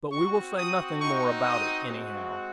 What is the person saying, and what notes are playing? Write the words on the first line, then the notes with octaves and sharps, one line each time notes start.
But we will say nothing more about it, anyhow.
C4 F#4 C#6
D#6
C4 D#4 F#4 C#6
D#6
G#3 C4 F#4